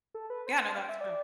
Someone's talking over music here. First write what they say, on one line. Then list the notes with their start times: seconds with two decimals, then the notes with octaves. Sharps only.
Yeah. No, that's true.
0.14 A4
0.30 B4
0.47 C5
0.62 C5
0.75 F5
0.79 G5
0.89 E5
1.01 D5